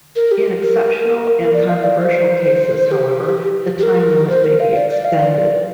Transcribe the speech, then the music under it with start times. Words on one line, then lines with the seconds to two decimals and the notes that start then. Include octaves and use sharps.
In exceptional and controversial cases, however, the time limit may be extended.
0.16 A#4
0.31 G4
0.63 A#4
1.53 D5
1.69 F5
1.84 D5
2.00 C5
2.91 G4
3.79 G4
3.83 A#4
4.29 C5
4.44 A#4
4.60 F5
4.75 D5
4.90 D5
5.05 F5
5.21 D5